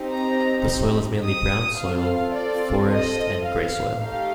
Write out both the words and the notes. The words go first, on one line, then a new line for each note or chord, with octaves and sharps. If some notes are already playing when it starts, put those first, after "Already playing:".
The soil is mainly brown soil forest and gray soil.
Already playing: C4 D#4 G4
A#5
D#6
C4 F4 A4 F5
D5
D#5
F5
A3 D#4 G4 F5